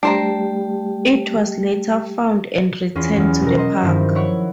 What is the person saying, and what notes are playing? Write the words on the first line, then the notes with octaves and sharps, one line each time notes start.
It was later found and returned to the park.
G3 A3 D4 G4 C5 A#5
E2 C#4 F4
E2 F#3 F6
B2 F#3 A#4
C5 D#5
G2 D#3 F3 E4
E4 C#5 F#5 C#6